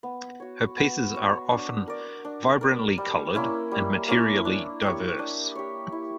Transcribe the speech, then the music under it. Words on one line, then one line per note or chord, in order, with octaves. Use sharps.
Her pieces are often vibrantly colored and materially diverse.
B3
F#4 C#5
B3
F#4 C#5
D4
A#4 D5
D4
A#4 D5
G3
A#3 C#4 E4
G3
A#3 C#4 E4
D4
G4 C#5
D4
G4 C#5
E4